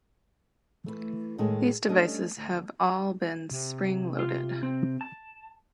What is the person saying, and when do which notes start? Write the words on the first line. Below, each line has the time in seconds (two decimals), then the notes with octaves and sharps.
These devices have all been spring loaded.
0.86 E3 A3
1.38 A2 D#3 G#3 G#4 A4
1.89 G3 A3 C#4 D4 A4 D#5
2.37 D2
3.51 C3
4.19 F4
4.63 C4
5.01 A5